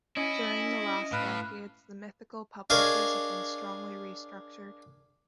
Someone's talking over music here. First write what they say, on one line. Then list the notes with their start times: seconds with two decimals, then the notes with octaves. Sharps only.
During the last decades, the mythical publishers have been strongly restructured.
0.17 C#4 E4 D#5
1.12 A2 B4 F5
2.70 D4 G#4 A#4 C#5 D#5 F5